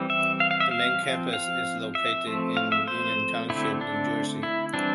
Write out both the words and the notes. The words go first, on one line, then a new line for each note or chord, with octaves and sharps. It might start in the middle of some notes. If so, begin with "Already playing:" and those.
The main campus is located in Union Township, New Jersey.
Already playing: E3 G3 C4
E5
F5
F5
E5
F5
F3 C4
F5
E5
F3 A3 C4
F5
E5
C5
D3 A3 C4 E4
D4
E4
E3 G3 C4 D4